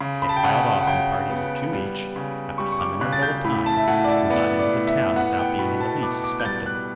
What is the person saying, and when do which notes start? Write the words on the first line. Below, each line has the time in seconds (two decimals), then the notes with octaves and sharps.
They filed off in parties of two each, after some interval of time, and got into the town without being in the least suspected.
0.01 C#3
0.22 B5
0.29 A5
0.37 G5
0.43 C#3 F#5
0.82 F#5
0.87 C#3 G5
1.30 B3
1.73 G3
2.16 C#3
2.58 G3 C#6
2.72 C#6
2.80 D6
3.01 C#3 F#6
3.13 A6
3.23 G6
3.44 A2 B5
3.66 A5
3.77 E5
3.87 A2 F#5
4.04 D5
4.09 E5
4.30 B3 D5
4.59 D5
4.73 A2
4.87 E5
5.16 B3 F#5
5.38 G5
5.59 B2 B5
5.80 A5
6.02 B3 D6
6.24 D6
6.40 G6
6.45 G3 A6
6.66 F#6